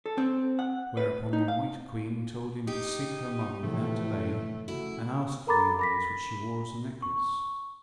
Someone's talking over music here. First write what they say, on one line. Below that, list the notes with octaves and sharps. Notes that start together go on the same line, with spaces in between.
Whereupon the white Queen told him to seek her mother without delay, and ask for the eyes which she wore as a necklace.
A4
C4
F#5
B4
D#4
F5
D#4 G4
A2 C3 E3 F3 A3
C#3 A3 E4 F#4
A4 A#4 A#5 B5 D6 A6
B5 A#6 B6
C#6